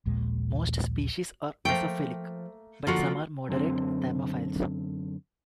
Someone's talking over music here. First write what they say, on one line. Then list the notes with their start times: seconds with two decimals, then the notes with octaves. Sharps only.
Most species are mesophilic, but some are moderate thermophiles.
0.06 A#1 D#2 A#2 G#3
1.65 F3 A3 A#3 G5
2.87 D3 F3 A#3 F4 F#4
3.49 F#2 D3 C4